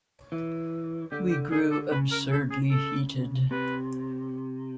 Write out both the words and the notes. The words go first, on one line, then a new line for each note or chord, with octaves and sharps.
We grew absurdly heated.
E3
D3 G4
G4
D3 G#4
A4
C#3 B4
A#4
A4
G#4
A4
C3 B4